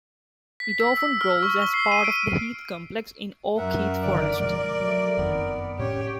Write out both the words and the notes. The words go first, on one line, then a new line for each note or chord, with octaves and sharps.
It often grows as part of the heath complex in an oak-heath forest.
B6
E6
E6
F6
C#6
G7
C7
D#7
D7
F#2 A#4 E5 F#5
F#1 D3 D#3 D5
B2 F3 G#3 A#4
F#3 A3
F#1 F2 D#3 B3
A2 C#4 G4 C#5